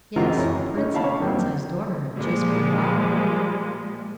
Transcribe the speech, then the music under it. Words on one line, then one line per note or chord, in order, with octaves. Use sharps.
'Yes, the prince and Kostiei's daughter have just gone by.
E3 G#3 C4 F4 F#4 A#4
F#2 E4 C#5 A#5
C#4 D#4 C#5
E4 F#4 E5 F5 A5 B5
C#5
D#3 F#3 G3 A#3 C4
A#2 F3 G3 G#3